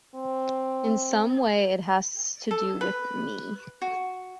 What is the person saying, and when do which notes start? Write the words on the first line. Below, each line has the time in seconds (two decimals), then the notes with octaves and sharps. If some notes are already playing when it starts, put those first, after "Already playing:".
In some way it has to do with me.
0.15 C4
2.51 A4
2.81 B4
3.82 F#4